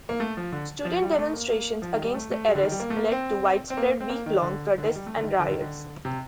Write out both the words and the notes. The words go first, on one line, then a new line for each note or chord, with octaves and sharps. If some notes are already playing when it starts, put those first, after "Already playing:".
Student demonstrations against the arrests led to widespread week-long protests and riots.
A#3
A3
F3
D3
F3
G3
A3
A#3
A#3
F3
D#3
G3
A3
A3
G3
D3
D#3
G3
A#3
A3
A#3
C4
C4
A#3
C4
A#3
D#3
D3
D3
D#3
G3
A3
D3
D#3
D3
D#3
D3
C3